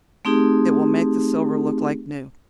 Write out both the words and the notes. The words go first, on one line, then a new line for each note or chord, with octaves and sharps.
It will make the silver look like new.
A3 C4 D#4 G4 G#4